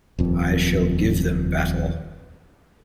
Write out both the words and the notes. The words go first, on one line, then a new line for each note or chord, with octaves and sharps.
I shall give them battle.
D#1 F2